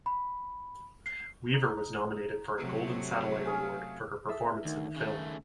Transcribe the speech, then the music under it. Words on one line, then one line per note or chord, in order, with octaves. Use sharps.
Weaver was nominated for a Golden Satellite Award for her performance in the film.
B5
C7
D#4
C3 F#3 A3
C#4 G#4 F5
G#4 A4 E5
D2 D#3
C#3 A3